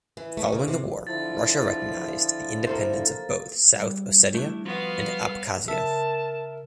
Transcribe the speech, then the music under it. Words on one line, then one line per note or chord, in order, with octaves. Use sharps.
Following the war Russia recognised the independence of both South Ossetia and Abkhazia.
E3
A3
C#3
C3
D3 F3 E4 A6
A#3 A4 C5
G3
A3 D4 E4
F3 B3 F4 F#4 F5
C#3 A#4 E5 A5